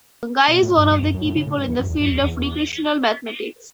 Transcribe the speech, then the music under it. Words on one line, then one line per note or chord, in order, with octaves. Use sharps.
Guy is one of the key people in the field of recreational mathematics.
B2
A2
G2
G2
F#2
F#2
A2
C#3
A2
G2
E2
F#2
E2
F#2
E2
E2